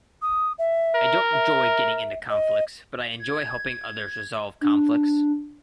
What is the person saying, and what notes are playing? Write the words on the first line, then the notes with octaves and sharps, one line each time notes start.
I don't enjoy getting into conflicts, but I enjoy helping others resolve conflicts.
D#6
E5
A#4
E5
D#5
G#6
D4